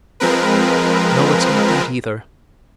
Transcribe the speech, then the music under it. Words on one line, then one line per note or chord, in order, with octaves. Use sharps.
No, it's not that either.
F3 G#3 C4 A#4 B4